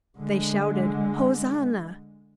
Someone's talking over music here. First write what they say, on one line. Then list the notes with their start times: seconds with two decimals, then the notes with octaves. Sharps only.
They shouted, "Hosanna!"
0.18 D3 G#3